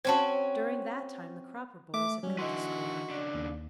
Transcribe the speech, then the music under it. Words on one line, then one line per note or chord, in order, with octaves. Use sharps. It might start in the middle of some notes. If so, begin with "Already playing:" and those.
During that time the Cropper boys had come to school.
C4 C#4 F#4 C5 A5
A3 E5 D6
F#3 G3 C#4
D3 E3 F#4 D#5 C6
C#3 D4
D#2